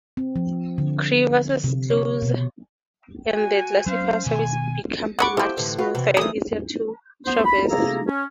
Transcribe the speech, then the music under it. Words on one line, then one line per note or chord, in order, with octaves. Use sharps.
Crevasses close and the glacier surface becomes much smoother and easier to traverse.
C4
F3
D3
C3
C#5
B2
F#4 G#5
F#3 C#4 C5 F5
B2 D#3 G#5
A3 D#5 F#5 B5 C#6 D6
F3 E4 G4 A4 C5
A2 D3 E3
F4 F#4 B4
C3 E3
E3 G3 A3 A#3 G#4 D#6
B3 C5
B5
C3 A#3 G#4 A4 A#5
C#4